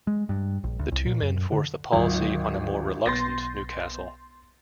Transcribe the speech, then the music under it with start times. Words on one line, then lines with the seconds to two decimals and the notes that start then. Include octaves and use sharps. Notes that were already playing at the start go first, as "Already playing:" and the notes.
The two men forced the policy on a more reluctant Newcastle.
0.07 G#3
0.29 G2
0.64 A#1
0.79 D2
0.92 C2
1.06 A#2
1.22 F#2
1.52 D3
1.93 G#1 D2 F#3 F4
3.06 B1 B3 C6 G6 A6 A#6